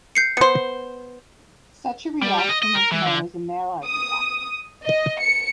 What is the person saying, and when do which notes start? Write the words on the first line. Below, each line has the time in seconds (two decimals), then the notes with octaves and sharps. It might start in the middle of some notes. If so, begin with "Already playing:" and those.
Such a reaction is known as Maillard reaction.
0.15 G6 C7 C#7
0.37 B3 C5 C#7
2.22 G3
2.38 G3
2.49 D#5
2.62 D#5
2.75 A#4
2.92 E3
3.06 D3
3.85 D#6
4.85 D#5
5.21 C#7